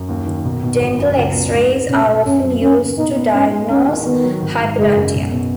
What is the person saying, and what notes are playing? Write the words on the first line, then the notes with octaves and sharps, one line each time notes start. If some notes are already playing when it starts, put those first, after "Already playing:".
Dental X-rays are often used to diagnose hyperdontia.
Already playing: F#2
D#2
D#3
B1
B2
G#1
F#2
C#2
B2
G#2
G#3
B1 C#4
B2
F#2 C#4
F#3
D#2 C#4
C#3
B2 D#4
B3
G#2 C#4
G#3
D#2 C#4
D#3
D#3 B3
F#3
G#1
G#2
F#1 G#3
F#2
B1
B2